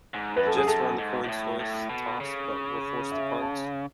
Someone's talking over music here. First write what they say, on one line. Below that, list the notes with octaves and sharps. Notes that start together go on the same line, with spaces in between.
The Jets won the coin toss, but were forced to punt.
G#2
F#2 B4
A4
G#4
F#2 A4
G#2
G#2
A2
A2
B2
C#3
E5
A5